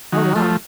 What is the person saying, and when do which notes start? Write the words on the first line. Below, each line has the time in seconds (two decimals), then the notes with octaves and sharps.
Oh, wow.
0.12 D#3 F#3
0.36 F3 A3